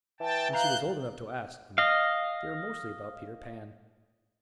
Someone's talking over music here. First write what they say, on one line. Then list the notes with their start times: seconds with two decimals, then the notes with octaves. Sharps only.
When she was old enough to ask them they were mostly about Peter Pan.
0.20 E3 G5 A5
0.53 F5 A#5 F#6 G6
1.78 D#5 F5